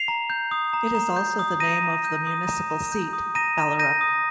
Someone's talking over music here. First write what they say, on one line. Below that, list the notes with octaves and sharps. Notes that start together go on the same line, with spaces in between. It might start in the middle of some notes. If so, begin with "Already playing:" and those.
It is also the name of the municipal seat, Ballerup.
Already playing: C7 F7
A#5
G6
D#6
A#5
A#5
G6
D#6
A#5 A#6 D#7
A#5
G6
D#6
A#5
A#5
G6
D#6
A#5 A#6 D#7
A#5
G6 A#6 D#7
D#6